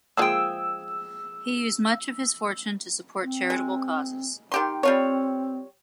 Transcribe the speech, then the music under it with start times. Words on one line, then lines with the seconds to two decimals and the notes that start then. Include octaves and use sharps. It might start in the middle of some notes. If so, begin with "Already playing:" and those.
He used much of his fortune to support charitable causes.
0.17 F3 G#3 A#3 G#4 G5 E6
3.23 C4
3.50 G#3
4.52 D#3 G4 C6
4.83 G3 C4 F4 C#5